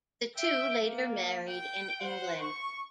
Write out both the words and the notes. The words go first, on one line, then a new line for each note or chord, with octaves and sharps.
The two later married in England.
E5 G5
A#3
G5
C5 F#5
C#6